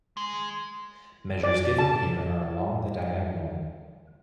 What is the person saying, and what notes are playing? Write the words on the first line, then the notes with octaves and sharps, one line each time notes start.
Measures given here are along the diagonal.
G#3
D5
A5